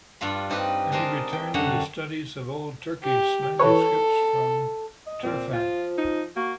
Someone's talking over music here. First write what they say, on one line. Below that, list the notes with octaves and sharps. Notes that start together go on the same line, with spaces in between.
Then he returned to the studies of old Turkish manuscripts from Turfan.
G2 D4 F4 B5
C4 D#4 G4 B4
G#3 D4 D#4 A#4 C5 D#5
G5
F#2 D3 G3 F#5
G4
E3 A4 B4 C#5
D#5
A#2 C4
F3 F4
D#4
A#3 F#4